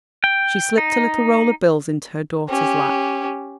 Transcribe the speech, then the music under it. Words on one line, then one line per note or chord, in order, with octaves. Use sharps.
She slipped a little roll of bills into her daughter's lap.
G5
D#4
C#4 G4